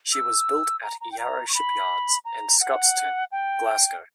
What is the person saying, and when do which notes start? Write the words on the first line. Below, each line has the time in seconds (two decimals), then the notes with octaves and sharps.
She was built at Yarrow shipyards in Scotstoun, Glasgow.
0.12 E6
0.83 A#5
1.01 A#5
1.12 G5
1.19 A#5
1.48 C#6
1.54 B5
2.25 A#5
2.61 F#5
3.32 G5